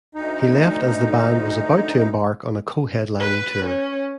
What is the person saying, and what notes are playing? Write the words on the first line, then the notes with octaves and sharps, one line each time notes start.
He left as the band was about to embark on a co-headlining tour.
D2 D#4
B4
C#4